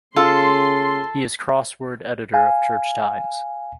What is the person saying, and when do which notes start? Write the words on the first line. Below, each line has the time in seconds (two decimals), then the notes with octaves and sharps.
He is crossword editor of "Church Times".
0.16 C#3 F4 A4 C6
2.34 F5 G#5